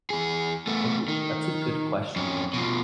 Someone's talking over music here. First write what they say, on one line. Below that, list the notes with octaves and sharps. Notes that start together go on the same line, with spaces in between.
Ooh, that's a good question.
E3 G#4
A3 B3
D#3
F2 C#4
B2 F3